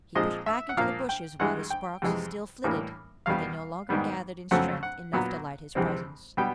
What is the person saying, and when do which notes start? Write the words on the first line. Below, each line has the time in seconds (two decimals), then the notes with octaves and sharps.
He pushed back into the bushes while the sparks still flitted, but they no longer gathered in strength enough to light his presence.
0.15 A#2 F3 G#3 C4 D#5
0.46 E5
0.69 F#5
0.77 A#2 F3 A#3 F5
1.09 G5
1.40 G2 E3 G#3 F#5
1.70 G5
2.02 F2 C3 E3 G#3
2.64 A2 E3 G3 A#3
3.26 E2 B2 G3 B3 F5
3.89 G#2 D#3 G3 B3
4.51 F2 C#3 F#3 A3 C4 F#5
4.83 F#5
5.13 A#2 F#3 B3
5.75 F2 C3 E3 G#3 C4
6.37 B2 G3 B3 G5